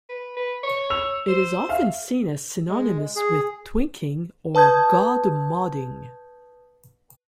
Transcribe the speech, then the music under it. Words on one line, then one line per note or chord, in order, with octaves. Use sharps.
It is often seen as synonymous with twinking or "godmoding".
B4
B4
C#5
E6 F7
C5
E5 F5 F6
G#3
G#4
B4 A5 D#6 G6 G#6